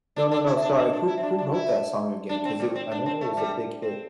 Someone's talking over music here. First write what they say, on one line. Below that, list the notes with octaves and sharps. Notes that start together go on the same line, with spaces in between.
No, no, no, sorry, who who wrote that song again? 'Cause it w I know it was a big hit.
D4
D4
E4
D4
C4
D4
E4
C4
D4
D4
E4
D4
C4
G3
C4
D4
C4
A3
G3
C4